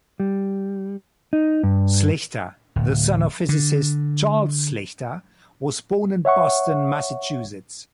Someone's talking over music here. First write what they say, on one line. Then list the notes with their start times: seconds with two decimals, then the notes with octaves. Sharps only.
Slichter, the son of physicist Charles Slichter, was born in Boston, Massachusetts.
0.20 G3
1.33 D#4
1.63 G2
2.76 D1
3.49 D3
6.25 C#5 E5 F#5 C#6